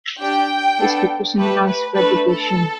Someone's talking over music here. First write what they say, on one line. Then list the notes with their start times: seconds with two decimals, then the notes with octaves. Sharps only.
It's to personalise fabrication.
0.19 D4 G4 G5
0.78 B3 D4 A4
1.37 A3 G4 B4
1.66 B4
1.95 A3 D4 A4 B4
2.24 A4